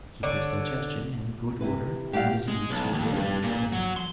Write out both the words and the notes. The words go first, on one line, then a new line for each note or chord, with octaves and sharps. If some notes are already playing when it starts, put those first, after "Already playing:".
Keep his digestion in good order, and disease will rarely trouble him.
D3 C#5 D5
C3 E4 B4
A2 G3 G4 F5 F#5
G#3
B1
D#2
G2
A#2
F#3
C6